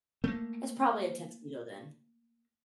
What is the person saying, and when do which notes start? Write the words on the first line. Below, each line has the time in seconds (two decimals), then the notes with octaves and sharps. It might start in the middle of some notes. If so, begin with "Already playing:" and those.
It's probably a tuxedo then.
0.24 A3 A#3